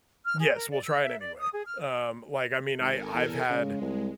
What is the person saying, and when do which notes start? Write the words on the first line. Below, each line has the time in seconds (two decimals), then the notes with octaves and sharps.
Yes, we'll try it anyway. Um, like, I mean, I I've had,
0.24 F6
0.39 G#4
0.54 A#4
0.70 D5
0.82 E6
1.01 E5
1.18 D5
1.39 D#6
1.52 G#4
1.65 F6
2.79 G#1 A4 A#4 G#5
3.14 E2
3.50 C#3 G#3
3.81 C2